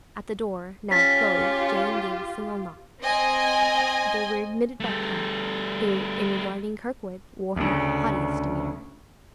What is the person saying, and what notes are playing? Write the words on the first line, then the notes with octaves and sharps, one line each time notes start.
At the door, now closed, Jane gave a single knock; they were admitted by Clem, who, in regarding Kirkwood, wore her haughtiest demeanour.
C#4 F4 G4 A6 B6
C4 D#5 G#5
G3 A3
D2 C#3